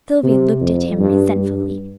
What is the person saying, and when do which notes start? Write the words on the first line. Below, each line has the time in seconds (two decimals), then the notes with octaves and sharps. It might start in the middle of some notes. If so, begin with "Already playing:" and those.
Sylvia looked at him resentfully.
0.23 C3
0.61 F2
0.99 G2
1.37 G2